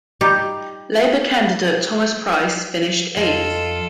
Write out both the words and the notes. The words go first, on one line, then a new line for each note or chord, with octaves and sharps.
Labor candidate Thomas Price finished eighth.
G3 D#4 F4 G4
F2 F4 A4 D#5